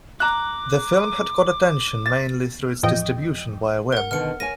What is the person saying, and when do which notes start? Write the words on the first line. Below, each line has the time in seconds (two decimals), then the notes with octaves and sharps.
The film had caught attention mainly through its distribution via web.
0.20 A#5 D6 F#6
2.06 A6
2.83 E2 A2 F3 D#5 G5
3.92 A#4 F#5
4.11 B2 D3 D#3 F6 C#7
4.40 A#4 C#5 G#5 A#6 D#7